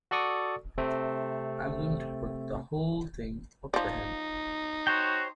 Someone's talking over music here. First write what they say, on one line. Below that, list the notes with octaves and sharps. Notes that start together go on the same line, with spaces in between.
I'm going to put the whole thing up to him.
F#4 A4 D5 C#6 D#6
C3 A3 C4
F3 D#4 D5
F#4 C5 C#5 G5